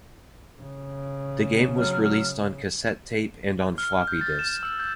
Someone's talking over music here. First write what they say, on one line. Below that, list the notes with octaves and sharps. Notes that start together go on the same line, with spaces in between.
The game was released on cassette tape and on floppy disk.
C#3
F#3 F6
F6
F6
G6
A6
E7
E6
G6